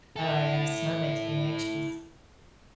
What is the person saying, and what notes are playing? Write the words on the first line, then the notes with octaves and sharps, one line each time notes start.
Oh, yeah, that makes me anxious.
E4 A4